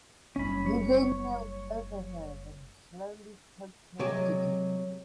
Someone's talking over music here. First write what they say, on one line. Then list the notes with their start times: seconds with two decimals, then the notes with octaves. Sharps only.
He then knelt over her and slowly choked her to death.
0.36 F#1 G3 C#4 B5
0.66 C#5
3.99 C3 F#3 G#3 D5 D#5